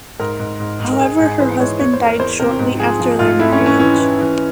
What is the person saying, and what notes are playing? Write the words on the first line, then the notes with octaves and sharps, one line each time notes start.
However her husband died shortly after their marriage.
G#2 A#4
G#2
G#2
G#2
A#4
G#2 G#4
G#2 G#4
E3 C5
G#2 C#5
E2 C#5
C5
E2
A#4
E2 C5
C3 A#4
G#2
F3 G#4
F3
G#2 F4
F2 E4
C#4
E3
C#4
E3 C#4
E3
E3